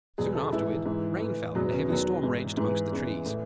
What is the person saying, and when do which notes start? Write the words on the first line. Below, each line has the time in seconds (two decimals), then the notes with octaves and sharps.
Soon afterward rain fell and a heavy storm raged amongst the trees.
0.18 E2 B2 F#3 G#4
0.35 A4
0.52 G#2 E3 E4
0.86 G#2 E3
1.21 A2 E3
1.55 E2 B2 F#3 B3
1.72 C#4
1.89 E2 D#3 F#3 B3
2.23 G#2 E3
2.57 G#2 E3
2.91 E2 C#3 E3
3.26 A2 E3